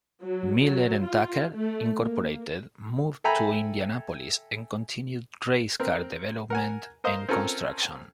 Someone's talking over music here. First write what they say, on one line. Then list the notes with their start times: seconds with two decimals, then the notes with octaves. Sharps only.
Miller and Tucker, Incorporated moved to Indianapolis and continued race car development and construction.
0.23 F#3
0.60 F#3
1.04 F4
1.53 A3
2.00 A#3
3.24 A4 E5 G5 G#5 A#5 B5
5.80 C4 A#4
6.50 A#4 F#5 G#5
7.04 A#4 C5 D#5 F5
7.29 C4 C#4 F4 A4 A#4